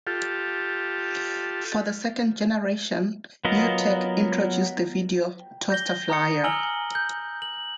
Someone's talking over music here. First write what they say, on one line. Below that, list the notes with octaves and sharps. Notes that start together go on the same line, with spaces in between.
For the second generation NewTek introduced the Video Toaster Flyer.
F4 G4 A4
F#3 B3 F4 A#4 D#5
G6 A#6 G7
A#5 D#6 C#7
G#5 A#5 E6 F6 F#7 G7
G6
F#7